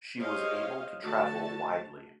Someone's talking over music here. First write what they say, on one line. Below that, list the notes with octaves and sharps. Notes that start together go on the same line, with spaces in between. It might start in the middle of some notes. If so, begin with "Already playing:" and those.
She was able to travel widely.
G4 G#4 C5 C#5 D#5 F5
D3 A3 F#4 A5